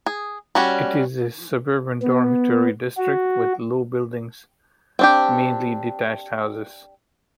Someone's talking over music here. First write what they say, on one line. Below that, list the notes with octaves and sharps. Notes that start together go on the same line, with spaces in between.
It is a suburban dormitory district with low buildings, mainly detached houses.
G#4
G3 C#4 F#4
B3
F#4
C4 D4 G4